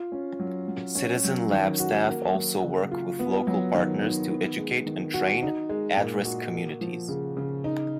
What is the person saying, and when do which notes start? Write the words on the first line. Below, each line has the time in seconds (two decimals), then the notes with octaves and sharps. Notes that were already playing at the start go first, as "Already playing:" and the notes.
Citizen Lab staff also work with local partners to educate and train at-risk communities.
Already playing: F4
0.12 C#4
0.40 F#3
0.68 F#3
0.95 C#4
1.24 F#3
1.52 D#3
1.80 F#4
2.08 A#3
2.35 F#3
2.62 C#3
2.91 F4
3.19 B3
3.47 F#3
3.75 D#3
4.03 D#3
4.30 B3
4.58 G#3
4.86 D#3
5.14 F#4
5.42 D#4
5.69 G#3
5.97 A#2
6.25 F#4
6.54 A#3
6.81 F3
7.08 C#3
7.37 C#3
7.64 D#4